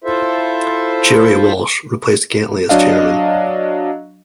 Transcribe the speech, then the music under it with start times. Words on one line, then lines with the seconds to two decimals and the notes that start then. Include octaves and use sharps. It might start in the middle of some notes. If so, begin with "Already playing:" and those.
Gerry Walsh replaced Gantly as chairman.
0.04 E4 F4 A4 C5 E5
2.69 F#3 D4 D#5 F5